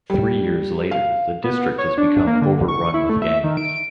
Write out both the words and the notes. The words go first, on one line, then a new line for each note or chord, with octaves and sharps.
Three years later, the district has become overrun with gangs.
G3
F5
B3
C#5
D4
A#3
D3
C#6
C#6
E4
A3
E5
D#3
D7